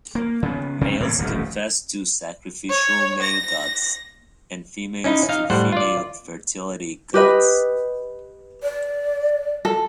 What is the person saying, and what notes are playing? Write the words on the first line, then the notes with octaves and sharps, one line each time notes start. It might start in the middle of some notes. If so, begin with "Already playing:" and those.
Males confessed to sacrificial male gods, and females to female fertility gods.
A#3
C#3 B3
C3 C4 C#4
A2 E3 A#3
D#1 A1 F#2 A3
C#5
A#6
C#4 D#4 E4
D#4 F5
A2 G3 C5 F#5
F4 D5
G4 B4 D#5
D5
A4